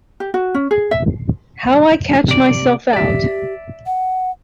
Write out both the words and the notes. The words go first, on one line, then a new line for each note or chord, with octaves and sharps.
How I catch myself out!
G4
F#4
C#4
G#4
E5
C3 D5
G4 D5 E5
F#5